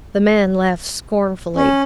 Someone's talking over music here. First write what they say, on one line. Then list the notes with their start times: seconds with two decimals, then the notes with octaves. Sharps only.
The man laughed scornfully.
1.56 C#4